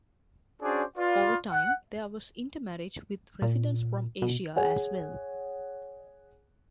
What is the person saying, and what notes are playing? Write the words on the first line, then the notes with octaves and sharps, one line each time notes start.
Over time, there was intermarriage with residents from Asia as well.
C#4 D4 F#4 G#4 C5 D5
F4 B4 D5
F#5
A#2
B2
G#4 C#5 F#5 G#5